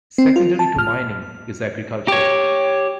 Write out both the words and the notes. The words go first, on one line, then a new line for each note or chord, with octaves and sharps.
Secondary to mining is agriculture.
C4
F4
A5
F6
G4 C#5